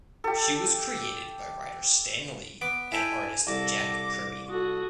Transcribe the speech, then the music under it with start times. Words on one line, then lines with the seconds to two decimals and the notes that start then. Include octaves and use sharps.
She was created by writer Stan Lee and artist Jack Kirby.
0.24 G4 A4
2.61 B3 D6
2.92 E4 A4 G5 G#5
3.47 C2 A4 D6 A#6
4.49 F#4 A4 D#6